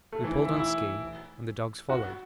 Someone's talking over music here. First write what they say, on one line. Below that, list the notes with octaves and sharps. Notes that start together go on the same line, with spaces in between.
We pulled on ski and the dogs followed.
A3
E3
E3
E4
E4
F#4